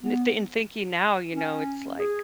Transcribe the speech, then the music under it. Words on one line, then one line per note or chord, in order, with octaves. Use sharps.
N th in thinking now, you know, it's, like
B3
C#4
G#4